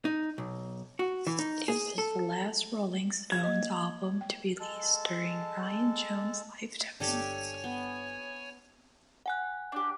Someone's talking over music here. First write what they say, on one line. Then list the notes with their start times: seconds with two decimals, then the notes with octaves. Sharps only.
It was the last Rolling Stones album to be released during Brian Jones' lifetime.
0.05 D#4
0.38 B1
0.99 F#4
1.27 E3
1.39 D#4
1.68 G#4
1.98 A4
3.32 G#6
3.44 A#3 D#5
4.21 G5
4.60 G#3 A4 A5
7.00 G1 D4 G4 A4 C#5 G#5
7.64 B3
9.26 F#5 G#5 F#6
9.72 D4 G4